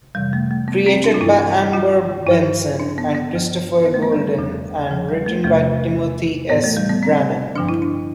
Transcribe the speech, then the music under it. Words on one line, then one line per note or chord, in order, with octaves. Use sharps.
Created by Amber Benson and Christopher Golden and written by Timothy S. Brannan.
F2 C3 E3 G3
A3
A3
B3
C4
D4
F4
G2 E3 E4
F4
G2 F3 E4
D4
B3
B3
G2 F3
B3
A3
B3
G3
E2 D3 F3
F3
G3
A3
E2 C3 F3 A3
A2 E3 B3
A3
G3
B3
C4
G2 D3 F3 D4
E4
D4